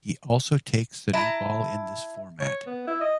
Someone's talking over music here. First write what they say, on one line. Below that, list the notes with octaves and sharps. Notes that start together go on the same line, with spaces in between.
He also takes the new ball in this format.
E4 A5 A#5
C#5
B3
E4
D#5